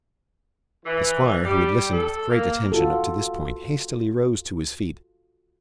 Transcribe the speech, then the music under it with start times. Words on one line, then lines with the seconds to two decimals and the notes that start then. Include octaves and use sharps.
The squire, who had listened with great attention up to this point, hastily rose to his feet.
0.86 E3
1.46 G3
1.93 A4
2.31 A#3
2.72 F4 F#4 A4